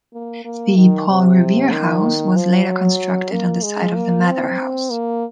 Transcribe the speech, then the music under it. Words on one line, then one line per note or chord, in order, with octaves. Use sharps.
The Paul Revere House was later constructed on the site of the Mather House.
A#3
A#3
D#3
C3
D#3
F3
F#3
A#3
G#3
A#3
C4
A#3